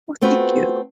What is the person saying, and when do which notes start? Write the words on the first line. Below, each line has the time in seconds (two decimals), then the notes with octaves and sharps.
Well, thank you.
0.21 A3 B3 C4 F4 F#4 B4